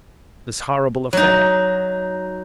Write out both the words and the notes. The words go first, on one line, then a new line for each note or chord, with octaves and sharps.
This horrible affair.
F#3 D#4